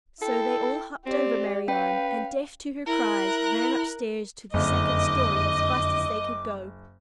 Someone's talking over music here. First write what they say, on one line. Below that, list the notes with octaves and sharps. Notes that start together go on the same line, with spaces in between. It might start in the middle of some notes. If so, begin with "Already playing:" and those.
So they all hopped over Marianne, and, deaf to her cries, ran upstairs to the second story as fast as they could go.
E4 A4 G5
C4 G4 D5
C#4 B4 F5 G5
E4 A#4 F#6
F#1 F2 D3 D#5 D6